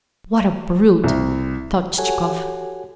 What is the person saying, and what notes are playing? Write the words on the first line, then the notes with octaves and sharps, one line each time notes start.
"What a brute!" thought Chichikov.
C2
F#4 G4 A4 C#5 F#5 G#5